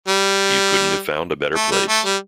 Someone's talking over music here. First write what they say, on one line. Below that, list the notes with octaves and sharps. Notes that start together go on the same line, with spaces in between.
You couldn't have found a better place.
G3
A3
G3
A3
G3